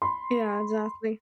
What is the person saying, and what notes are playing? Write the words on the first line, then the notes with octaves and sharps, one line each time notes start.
Yeah, exactly.
B5 C6